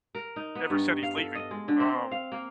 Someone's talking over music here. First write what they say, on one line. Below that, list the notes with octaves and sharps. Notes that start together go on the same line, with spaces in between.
ever said he's leaving." Um
A#4
D#4
B3
G2
F5
A4
D#5
G#3
D3
C4
F5
A#3